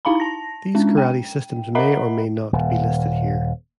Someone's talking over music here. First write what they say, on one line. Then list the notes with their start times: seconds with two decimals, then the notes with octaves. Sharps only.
These karate systems may or may not be listed here.
0.05 D#4 E4 F5 A#5 B5
0.20 A5 A#6
0.75 G#3 C#4 D4
0.97 G5
1.75 A#4 D#5 E5 F#5 A#5 B5
2.53 D#1